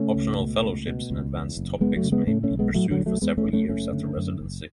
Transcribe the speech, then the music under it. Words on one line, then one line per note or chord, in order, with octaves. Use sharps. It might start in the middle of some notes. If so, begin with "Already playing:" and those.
Optional fellowships in advanced topics may be pursued for several years after residency.
Already playing: C#3 A3 C#4
C#2
B2
C#2
B2
C#2
E2
F#1
F#1 G#3 B3
F#3 A3
C#3
G#3 B3
A2 A3 C#4
A3 C#4
B1
G#3 B3
A2 F#3 A3
D3 F#3
B1
F#3 A3
E2 G#3 B3
A3 C#4
F#1
A3 C#4
F#1 A3 C#4
D3
F#2
F#1